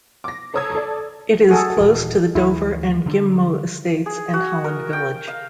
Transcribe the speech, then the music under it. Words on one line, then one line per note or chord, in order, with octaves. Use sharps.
It is close to the Dover and Ghim Moh estates, and Holland Village.
D6 A#6
A4 C#5 A#5 D#6 E6 G#6
A4 D5
F#4 G#4 A4
D#1 E3
D2 E3 E4
D3 D4
G#4
F#4
A#4
G5
F5